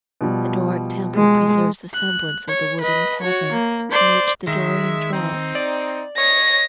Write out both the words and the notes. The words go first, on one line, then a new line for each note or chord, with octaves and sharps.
The Doric temple preserves the semblance of the wooden cabin in which the Dorian dwelt.
B2 F3 G3
G#3
F#6
C#5
B4 D#5
F#4 C#5
A#3
C5 D5
D#3 G#3 E5
C4 D#4
D5
C#5 D#5 A#6